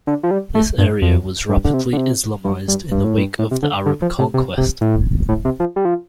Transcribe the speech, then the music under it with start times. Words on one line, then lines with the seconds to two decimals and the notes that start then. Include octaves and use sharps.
This area was rapidly Islamized in the wake of the Arab conquest.
0.07 D3
0.23 F3
0.31 G3
0.55 A3
0.78 G2
1.02 F2
1.49 G2
1.64 D3
1.74 C3
1.93 D3
1.97 C3
2.45 G2
2.68 G2
2.91 G2
3.04 A2
3.17 G2
3.39 A2
3.51 C3
3.62 D3
3.86 D3
4.02 F3
4.18 C3
4.34 C3
4.58 C3
4.81 A2
5.29 A2
5.45 C3
5.60 F3
5.76 G3
5.85 F3